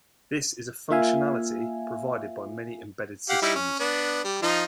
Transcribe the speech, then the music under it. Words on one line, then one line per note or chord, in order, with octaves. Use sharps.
This is a functionality provided by many embedded systems.
A#3 F4 E5 F5 G#5
G4 F5 F#5
G3 D#4 E4
C#4
B3 D4
G3
F3 D#4 F4